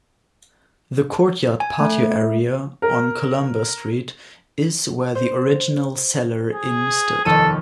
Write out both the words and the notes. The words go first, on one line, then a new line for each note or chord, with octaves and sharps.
The courtyard patio area on Columbus street is where the original Zeller Inn stood.
G#5
A3
A#4
C5
G#4
F1 D#2 A4 D#7